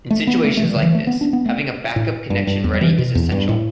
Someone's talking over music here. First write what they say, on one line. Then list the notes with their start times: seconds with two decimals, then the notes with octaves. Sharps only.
In situations like this, having a backup connection ready is essential.
0.10 A3
0.27 B3
0.44 A3
0.57 A3
0.64 E3
0.69 G3
0.76 D3
0.83 E3
0.95 A3
1.07 B3
1.21 D4
1.33 B3
1.46 A3
1.96 A2
2.30 G2
2.47 G2
2.64 E2
2.74 G3
2.81 E3
2.98 B2
3.15 E2
3.32 G2
3.49 A2